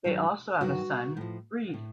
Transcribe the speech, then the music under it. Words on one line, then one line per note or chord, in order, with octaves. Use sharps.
They also have a son, Reid.
G2 D#3 F#3
G2 D#3 F#3 F#4
A2 F3
A2